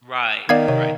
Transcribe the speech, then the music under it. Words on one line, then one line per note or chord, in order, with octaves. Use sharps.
Right. Right.
D#3 B3 D5 F5 G#6
C3 C#5